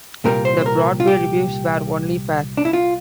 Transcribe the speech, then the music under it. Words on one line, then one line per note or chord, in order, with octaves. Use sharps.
The Broadway reviews were only fair.
C2 A#2 G3 A#4
C5
C5
A#4
F4
G4
D4
E4
F4